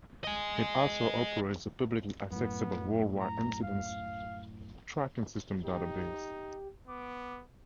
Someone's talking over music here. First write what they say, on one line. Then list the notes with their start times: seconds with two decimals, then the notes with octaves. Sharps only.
It also operates the publicly accessible Worldwide Incidents Tracking System database.
0.24 D#5 G#5
2.32 F#2 A2 B3
3.21 A#5
3.63 F5
5.64 D#4 G4
6.88 B3 D6